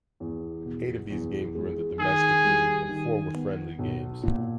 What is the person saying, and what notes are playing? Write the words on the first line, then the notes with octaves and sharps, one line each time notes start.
Eight of these games were in the domestic league and four were friendly games.
E2
B2
E2
G#3
D#3 G#4
G3
D#3
B3
B1
A#2